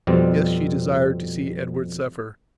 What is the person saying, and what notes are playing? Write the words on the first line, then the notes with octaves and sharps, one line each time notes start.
Yes, she desired to see Edward suffer.
F2 B2 G3 C4